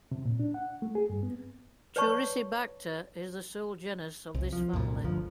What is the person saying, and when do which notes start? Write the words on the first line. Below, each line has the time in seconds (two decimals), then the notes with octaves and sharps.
"Turicibacter" is the sole genus of this family.
0.12 C3
0.25 A#2
0.40 D4
0.54 F#5
0.82 A3
0.95 G#4
1.10 G2
1.23 B3
1.96 B4 C#5 D5 A5 C#6
4.35 C2
4.53 F3
4.73 C2 F#2 A#2
5.02 G1 D2 F3